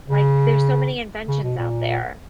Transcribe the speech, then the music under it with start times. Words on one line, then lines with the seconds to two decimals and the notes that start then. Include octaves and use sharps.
Like, there's so many inventions out there.
0.08 C#3
1.28 C#3
1.43 B2
1.58 A#2